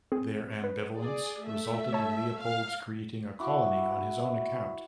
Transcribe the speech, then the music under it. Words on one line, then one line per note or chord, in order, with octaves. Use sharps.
Their ambivalence resulted in Leopold's creating a colony on his own account.
C4 G#4
B4
G#4 D5
A3 E5
C#5 A5
F5
E4 F#4 D6